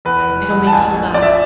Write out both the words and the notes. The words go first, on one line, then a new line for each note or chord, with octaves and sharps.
It'll make you laugh.
E2 B4
F1
F1
A5
A1 G#5
A1
F3 D5
E5